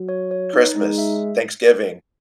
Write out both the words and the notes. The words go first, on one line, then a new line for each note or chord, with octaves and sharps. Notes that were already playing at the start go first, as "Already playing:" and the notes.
Christmas, Thanksgiving,
Already playing: F#3
C#5
C#5
D#4
G#3 D#4
E5